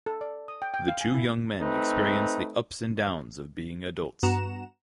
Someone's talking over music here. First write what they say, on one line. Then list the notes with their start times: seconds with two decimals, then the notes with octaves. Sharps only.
The two young men experience the ups and downs of being adults.
0.06 A4
0.21 D5
0.48 D#6
0.62 G5
0.74 G5
0.88 F5
1.01 G#5
1.14 E4
1.61 A3 C4 D#4 B4
4.23 G2 B3 F#4 F#5 A#5 E7